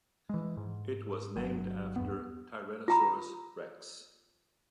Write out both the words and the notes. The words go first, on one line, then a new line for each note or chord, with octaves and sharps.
It was named after "Tyrannosaurus rex".
E3 G#3
G#2
G1 F#3
E2 G2 B3
F4 A#5 B5